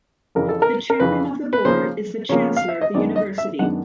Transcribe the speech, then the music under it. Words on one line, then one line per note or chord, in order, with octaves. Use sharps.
The Chairman of the board is the Chancellor of the University.
F2 C#3 E3 A#4
A4
A#4
A#4
F2 C#3 E3 B4
B4
C#3 F3 A#3 C#4 C5
C#3 F3 A#3 C#4 C#5
F5
E5
D#5
F#2 D#3 G#3 B3 D4 D5
D#5
E5
F#2 D#3 G#3 B3 D4 F#5